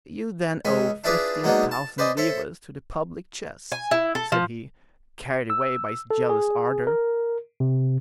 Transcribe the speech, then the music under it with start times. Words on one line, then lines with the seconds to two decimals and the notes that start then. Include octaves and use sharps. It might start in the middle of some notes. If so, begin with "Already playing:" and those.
"You then owe fifteen thousand livres to the public chest," said he, carried away by his jealous ardor.
0.65 C#2 G#3 C#4 G#5 B5
1.04 D4 E4 F4 G#4 B4 D5
1.44 F#3 G#3 A#3 B3 D4 D#4
1.71 A5
1.98 B4 C5 D5 D#5 G#5
2.17 A4 C5 C#5 E5
3.72 G#5
3.91 E4
4.15 A4
4.32 F3
5.50 E6
6.11 A4
6.29 G#4
6.87 A#4
7.60 C3